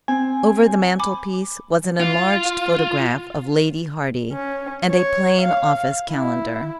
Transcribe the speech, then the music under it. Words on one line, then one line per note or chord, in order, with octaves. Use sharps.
Over the mantelpiece was an enlarged photograph of Lady Hardy and a plain office calendar.
C4 G#5
G#5 B5 D6
F4
C#4
C#5
F5
E4